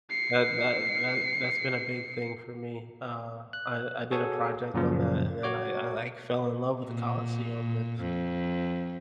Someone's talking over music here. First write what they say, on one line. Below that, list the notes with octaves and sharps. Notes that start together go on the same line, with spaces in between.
that that that that's been a big thing for me. Uh, I I did a project on that, and then I I like fell in love with the Colosseum, and
C7 C#7
F#6
F#4 G#4 A4 C#5 G#5
F#2 A#2 C#3 F3
F#4 C#5 D6
A#2
F2